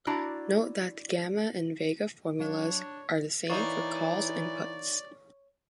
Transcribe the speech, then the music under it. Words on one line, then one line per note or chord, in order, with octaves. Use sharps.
Note that the gamma and vega formulas are the same for calls and puts.
D4 E4 F#4 D5 A#5
F#3 D4 C#5 F5
E3 A#3 D#4 C#5 D5